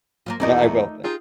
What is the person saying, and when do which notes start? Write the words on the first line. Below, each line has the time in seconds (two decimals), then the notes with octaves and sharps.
Yeah I will tha
0.26 A#3 C4 F4
0.40 E2 C4 D#4 A#4 D5 D#5
0.62 A3
1.04 D#4 F4 G4 G#4